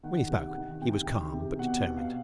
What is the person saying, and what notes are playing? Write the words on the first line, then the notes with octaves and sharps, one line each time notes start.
When he spoke he was calm, but determined.
D#3 F#5
C3
F#5
D#3
C3 G5
D#3
C3
B2 F#5
B2
F5